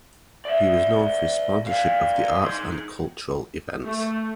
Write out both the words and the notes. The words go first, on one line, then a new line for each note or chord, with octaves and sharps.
He was known for his sponsorship of the arts and cultural events.
D5 E5
D5 F5
D#4 C6
A3